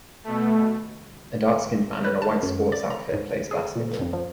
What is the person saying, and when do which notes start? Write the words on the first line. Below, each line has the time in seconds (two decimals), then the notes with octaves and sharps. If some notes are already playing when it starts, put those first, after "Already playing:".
A darkskinned man in a white sports outfit plays basketball.
0.24 B2 A3
2.05 B4
2.22 A5
2.43 F#2
2.72 D5
2.90 A#5
3.14 G#2
3.51 G#4
3.76 A#2
4.01 F2
4.13 F3